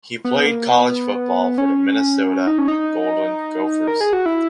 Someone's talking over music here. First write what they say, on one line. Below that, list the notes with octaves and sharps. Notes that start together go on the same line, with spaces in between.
He played college football for the Minnesota Golden Gophers.
B3
A#3
B3
C#4
D#4
C#4
D#4
A#4
G#4
F#4
E4